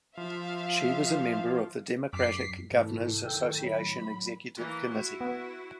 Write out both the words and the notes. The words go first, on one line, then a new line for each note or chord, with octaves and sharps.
She was a member of the Democratic Governors Association Executive Committee.
F3 E5 F5
F#2 D6 B6 C7
G#2 C3 E3 A3
F#2 A2 D#3 A4 G5
A2 F#3 B5
E3 A#3
E4 F#4
B3